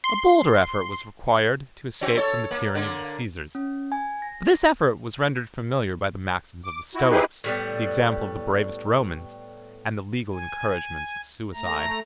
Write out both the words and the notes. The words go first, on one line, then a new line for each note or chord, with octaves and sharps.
A bolder effort was required to escape from the tyranny of the Caesars; but this effort was rendered familiar by the maxims of the stoics, the example of the bravest Romans, and the legal encouragements of suicide.
C6
C4 C#4 F#4
A4 C#5
A#3
D3 A#3
C#4
G#5
A#6
D6
E4 F#4
C4 D#4 E4 G4 G#4 B4
A2 G3 B3
G#5
A3 A#5